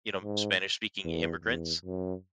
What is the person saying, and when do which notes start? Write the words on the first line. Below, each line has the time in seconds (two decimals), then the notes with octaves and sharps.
you know, Spanish-speaking immigrants,
0.23 G#2
1.04 E2
1.44 E2
1.85 F#2